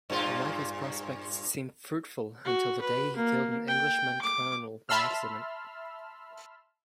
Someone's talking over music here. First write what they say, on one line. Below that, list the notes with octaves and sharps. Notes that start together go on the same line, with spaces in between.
Michael's prospects seemed fruitful until the day he killed an Englishman colonel by accident.
G2 A#2 F4
F#4
B4
A#3
G5
D6
E5 A5 B5 C6 E6 F6